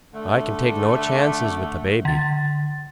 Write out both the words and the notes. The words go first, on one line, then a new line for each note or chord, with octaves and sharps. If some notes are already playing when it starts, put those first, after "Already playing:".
"I can take no chances with the baby."
D3 A3
D3 A6